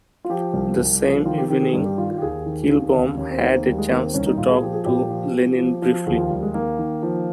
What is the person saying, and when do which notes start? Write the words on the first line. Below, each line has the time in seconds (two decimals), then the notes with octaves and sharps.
The same evening, Kilbom had a chance to talk to Lenin briefly.
0.25 F4
0.30 F3 G4
0.53 C2
0.77 C2
1.02 F3
1.25 D#3 F4
1.38 G4
1.49 D#3 G4
1.62 G#4
1.73 G2 G4
1.86 G4
1.97 D#3 F4
2.10 F4
2.18 G4
2.22 D#2 G#4
2.46 D#3
2.70 D#2
2.94 D#2
3.18 D#2 C#4
3.30 C4
3.42 D#3 C4
3.54 A#3
3.66 D#2 G3
3.78 G#3
3.90 D#3 A#3
4.02 C4
4.14 C2 C#4
4.26 D#4
4.38 A#2 F4
4.50 G#4
4.62 F3 G4
4.74 G#4
4.85 A#2 G4
5.11 F3
5.34 F3
5.58 F3
5.82 F3
6.07 D#2 G#4
6.18 F4
6.30 D#2 G3
6.43 G#3
6.54 D#3 A#3
6.79 D#3
7.03 F3